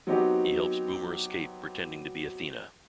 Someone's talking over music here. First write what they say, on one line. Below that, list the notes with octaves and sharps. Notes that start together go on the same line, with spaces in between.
He helps Boomer escape pretending to be Athena.
F#3 B3 C4 D#4 F#4 G4